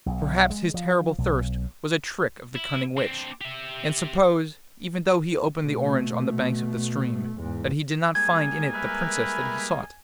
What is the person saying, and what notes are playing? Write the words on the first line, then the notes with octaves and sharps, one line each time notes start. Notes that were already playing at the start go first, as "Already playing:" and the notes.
Perhaps his terrible thirst was a trick of the cunning witch, and suppose, even though he opened the orange on the banks of the stream, that he did not find in it the princess that he sought?
B1
G#3
F3
B1
E4
C4 D4
G4 E5
B2 A3
E2 G#2
G3 G#3 A#3 G#5 G#6
E4 A#4 B4